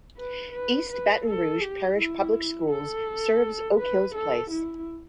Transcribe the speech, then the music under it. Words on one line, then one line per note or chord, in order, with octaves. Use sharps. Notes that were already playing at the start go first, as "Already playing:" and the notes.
East Baton Rouge Parish Public Schools serves Oak Hills Place.
B4
B4
B4
A4
G4
E4
A4
B4
A4
E4